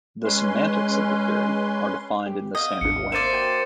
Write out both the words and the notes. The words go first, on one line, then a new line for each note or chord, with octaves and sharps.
The semantics of the theory are defined in the standard way.
G#3 C#4 B4 C6
G4
D#5 F5 F#5 G6
G#1 D#2 D4 C#7
A#3 C5 D5 E5 A6 D#7 E7
F#4 G5